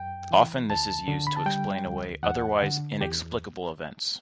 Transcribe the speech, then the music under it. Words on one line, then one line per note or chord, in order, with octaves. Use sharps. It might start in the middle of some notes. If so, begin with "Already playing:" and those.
Often this is used to explain away otherwise inexplicable events.
Already playing: F#2 G5
E3
D2 A5
D3
B5
A5
G3 G5
D2
E2 F#5
D3
E2 G4